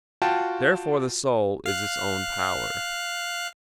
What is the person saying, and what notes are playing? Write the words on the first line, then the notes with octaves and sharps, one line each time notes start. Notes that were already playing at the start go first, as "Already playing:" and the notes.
Therefore the soul is its own power.
F4 F#4 G5 A5
F5 F#6